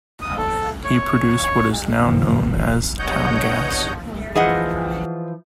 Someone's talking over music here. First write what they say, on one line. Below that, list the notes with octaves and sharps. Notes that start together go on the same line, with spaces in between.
He produced what is now known as town gas.
D#6
A4
C#5
C#5
F#1 C2 G2 B2 D#3 F3
E2 G2 C#5 D#5 F#5 G6
E3 F3 G#4 D#5 F#5